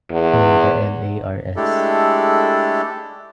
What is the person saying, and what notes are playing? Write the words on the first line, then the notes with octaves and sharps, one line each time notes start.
In the ma.r.s.
E2
G#3 A3 D4 E4 G4 A4